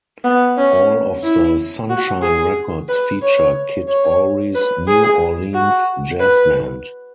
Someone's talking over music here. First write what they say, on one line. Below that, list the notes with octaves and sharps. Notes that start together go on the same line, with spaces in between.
All of the Sunshine Records feature Kid Ory's New Orleans jazz band.
B3
C#4
E4
F#4
G#4
B4
C#5
C#5
B4
G#4
F#4
B4